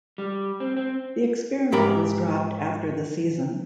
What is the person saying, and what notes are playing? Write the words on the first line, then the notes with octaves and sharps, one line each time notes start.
The experiment was dropped after the season.
G3
C4
C4
G#2 G4 A#4 B5